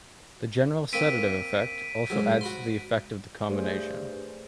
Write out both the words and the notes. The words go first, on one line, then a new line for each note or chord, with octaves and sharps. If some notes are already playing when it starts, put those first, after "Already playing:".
The general sedative effect also adds to the effect of the combination.
A#3 C4 B6 D7 D#7
G#2 F#3
F#4 B5 C6
G2 A3 G#4 C5